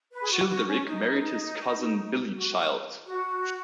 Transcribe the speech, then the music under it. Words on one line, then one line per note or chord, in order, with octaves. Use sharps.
Childeric married his cousin Bilichild.
B4
G#4
F#4
F#4
C#4
D#4
F#4
F#4